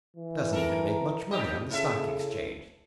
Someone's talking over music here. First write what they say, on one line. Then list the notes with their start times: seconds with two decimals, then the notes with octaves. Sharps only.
He doesn't even make much money on the Stock Exchange.
0.17 E3
0.53 A4 A#4
1.31 G2 G4 D#5
1.70 C#3 E4 A4 E5